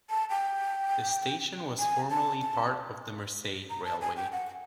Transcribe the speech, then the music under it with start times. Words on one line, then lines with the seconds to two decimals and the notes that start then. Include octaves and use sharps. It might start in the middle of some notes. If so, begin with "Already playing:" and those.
The station was formerly part of the Mersey Railway.
0.10 A5
0.30 G5
1.79 G#5
2.10 A5
2.42 A5
3.70 A#5
3.85 A5
4.02 G#5
4.17 G5
4.33 F#5